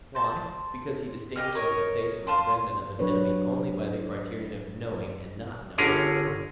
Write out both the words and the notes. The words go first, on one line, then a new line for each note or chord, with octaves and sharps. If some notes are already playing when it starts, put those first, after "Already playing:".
Why, because he distinguishes the face of a friend and of an enemy only by the criterion of knowing and not knowing.
C5 A5
G4 G#4 D#5 F6
A#4 C#5 D#5
F4 A5 C6
F#3 D4 B4 C#5
G1 D3 C#4 G#4 A#4